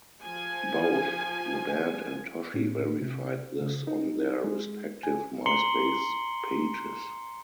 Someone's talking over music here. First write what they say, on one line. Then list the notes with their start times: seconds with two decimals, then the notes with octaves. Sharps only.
Both the band and Toshi verified this on their respective Myspace pages.
0.25 F3 G#5
2.54 A2
3.02 C3
3.61 C#3
3.87 D#4
4.44 G#3
5.03 G#5
5.46 A#5 C6 C7 C#7 F#7 G7